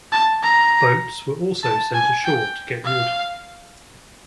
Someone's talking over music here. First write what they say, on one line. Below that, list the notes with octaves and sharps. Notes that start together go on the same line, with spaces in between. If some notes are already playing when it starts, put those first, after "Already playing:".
Boats were also sent ashore to get wood.
A5
A#5
A5
G#5
G5
F5